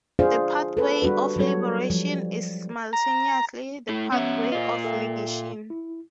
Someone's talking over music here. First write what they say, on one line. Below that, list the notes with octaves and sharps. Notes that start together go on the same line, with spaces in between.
The pathway of liberation is simultaneously the pathway of negation.
D4 F4 G#4 C5 D5 F5
A4 B4
G3 D4 F#4 B4
F#3 G3 F#4 A4 C#5
F3 G3
A#5
A3 E4
B3 C#4 C#5 E5 F#5
A#2 F4 C5 D#5
A4 E5 G5
E4